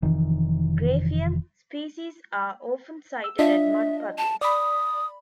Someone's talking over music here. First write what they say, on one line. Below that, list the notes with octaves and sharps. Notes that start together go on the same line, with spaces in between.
"Graphium" species are often sighted at mud puddles.
F1 D#3 E3
E6
D4 F4 D#5 E5
A5
D5 B5 D#6